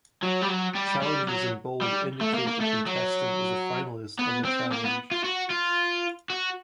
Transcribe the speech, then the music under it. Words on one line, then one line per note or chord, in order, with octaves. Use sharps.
Challenges in bold indicate the contestant was a finalist on the Challenge.
F#3
G3
F#3
G3
G3
F#3
G3
A3
A#3
A#3
A3
F#3
B3
C4
A#3
B3
F4
F#4
F4
F#4